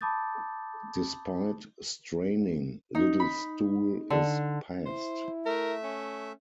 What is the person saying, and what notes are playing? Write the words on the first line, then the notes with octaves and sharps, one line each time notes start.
Despite straining, little stool is passed.
A5 B5 D6 D#6 G6 A6
D#4
B5
D3
E4 C5
A3 A#4 E5
C#4